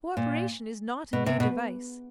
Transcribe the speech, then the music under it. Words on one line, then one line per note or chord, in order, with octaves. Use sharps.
Co-operation is not a new device.
A#2
B2
C3
B2